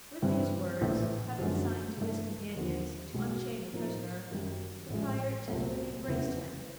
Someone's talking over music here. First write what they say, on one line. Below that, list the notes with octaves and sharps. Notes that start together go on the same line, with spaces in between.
With these words, having signed to his companions to unchain the prisoner, the prior tenderly embraced him.
G2 E3 G3 C4
A#1 A2 E3 A3
F#2 D3 F3 G#3 C#4
G2 E3 A3
D#2 D3 F3
B1 B2 G#3
A2 F3 A#3 D#4
F#2 D#3 G3
A1 A2 F3 G#3
C2 A#2 F#3 A3
F1 E2 C#3 E3